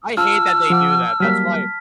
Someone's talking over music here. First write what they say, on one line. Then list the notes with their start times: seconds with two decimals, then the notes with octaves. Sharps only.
I hate that they do that, that's why
0.17 F4 A5 E6 F6
0.70 F3 F#5 D6
1.20 F#3 G3 A#3 F6 B6